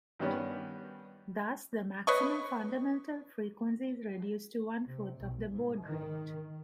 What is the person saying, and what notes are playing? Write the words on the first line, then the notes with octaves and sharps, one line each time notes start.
Thus, the maximum fundamental frequency is reduced to one fourth of the baud rate.
G2 D#3 G3 B3 C#4
B4 C#5 D#5 C#6
C3
B1
G#2
D#3